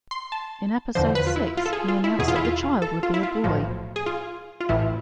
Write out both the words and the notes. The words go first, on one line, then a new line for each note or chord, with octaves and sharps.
In episode six, he announced that the child would be a boy.
C6
A5
E2 D3 F3 C5
B4
F4
E4
F4
A4
G#4
F4
E4
E2 B2 G#4
F4
E4
F4
A4
F4
E4
F4
B1 A2 F3
G#4
F4
F4
A1 A2 E3 E4